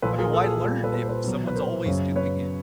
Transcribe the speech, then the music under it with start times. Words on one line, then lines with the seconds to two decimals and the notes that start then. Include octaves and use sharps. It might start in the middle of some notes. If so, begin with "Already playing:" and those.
I mean, why learn if someone's always doing it?
0.02 A#2 F3 A4 B4
0.18 G#4 A#4
0.33 A4
0.44 G#4
0.54 G#4
0.64 A#2 G3 A4
0.84 A4 B4
0.94 B4
1.02 C5
1.09 A4 B4
1.24 B2 F#3
1.47 B4
1.55 A#4 C5
1.86 F#2 C#3 F#3
2.16 B4 C#5